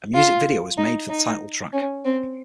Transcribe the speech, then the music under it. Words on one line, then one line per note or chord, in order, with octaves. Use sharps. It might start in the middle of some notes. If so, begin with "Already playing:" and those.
A music video was made for the title track.
F4
D#4
D#4
C#4
C4